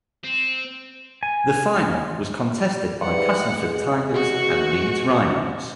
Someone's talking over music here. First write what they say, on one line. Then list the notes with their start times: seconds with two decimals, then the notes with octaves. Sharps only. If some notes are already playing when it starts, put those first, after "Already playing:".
The final was contested by Castleford Tigers and Leeds Rhinos.
0.24 C4
1.23 G#5
3.02 G#2 E3 G3 F#5
3.57 E2 G#3
4.14 F#4